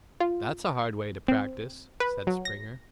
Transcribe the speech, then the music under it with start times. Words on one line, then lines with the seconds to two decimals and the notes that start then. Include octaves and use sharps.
"That's a hard way to practice," said Springer.
0.20 F4
1.28 C4
2.00 B4
2.27 F#3
2.45 A#6